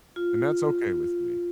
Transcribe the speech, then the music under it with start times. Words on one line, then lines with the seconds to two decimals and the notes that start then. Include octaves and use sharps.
and that's okay with me.
0.16 F4